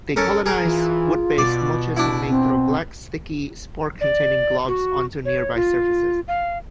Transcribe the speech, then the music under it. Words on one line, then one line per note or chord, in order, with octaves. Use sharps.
They colonize wood-based mulches and may throw black, sticky, spore-containing globs onto nearby surfaces.
C#4 A4 A#4
G#4 A#4
E3 F4
B2 D5
D4 E4 F#4
C4
D5
F#4
C#5
F4
F5